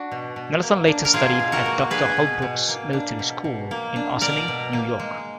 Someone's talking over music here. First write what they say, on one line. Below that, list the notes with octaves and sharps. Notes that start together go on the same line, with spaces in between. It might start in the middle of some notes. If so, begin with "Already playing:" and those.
Nelson later studied at Doctor Holbrook's Military School in Ossining, New York.
Already playing: D4 F#4
B2
B2
A#3
D4
A#4
B2 F4 G#4
B2
F#4 A#4
A#3
D4 G#4 B4
B2
B2
A#3
D4
B2
B2
A#3
D4
B2 A#4 D5
B2
A#3
G#3